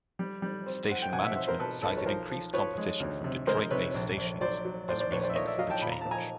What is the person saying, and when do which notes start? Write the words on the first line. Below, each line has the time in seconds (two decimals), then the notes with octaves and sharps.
Station management cited increased competition from Detroit-based stations as reasoning for the change.
0.19 G3
0.42 G3
0.66 C4
0.90 C4 F#5
1.02 G5
1.13 B2 F#5 G#5
1.24 E5 F#5
1.36 C4 E5 F#5
1.48 A#4 C5
1.60 B2 A4 B4
1.83 B1 A4 B4
1.97 C#5
2.06 F3 A#4 C5
2.30 F3
2.53 F3 B4 C#5
2.78 G#3
3.00 D2
3.24 C3
3.47 G#3 A#4 C5
3.71 C3 B4 C#5
3.94 A#1
4.18 A#1
4.41 F#3 C5 D5
4.65 F#3
4.88 A2 C5 D5
5.00 C5 D5
5.12 A#1 B4 C#5
5.24 C5 D5
5.30 E5
5.35 A#3 C#5 D#5
5.47 D5 E5
5.58 F#3 D#5 F5
5.70 G5 A5
5.82 A#2 B5
5.92 A#5
6.01 A#2 A5
6.11 G#5 A#5